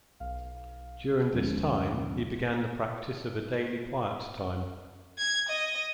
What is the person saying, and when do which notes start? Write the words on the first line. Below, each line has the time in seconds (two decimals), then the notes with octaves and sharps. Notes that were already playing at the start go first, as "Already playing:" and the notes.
During this time he began the practice of a daily quiet time.
0.20 B1 F5
1.33 D#2 D3 F3 G#3 C#4
5.18 G#6
5.49 D#5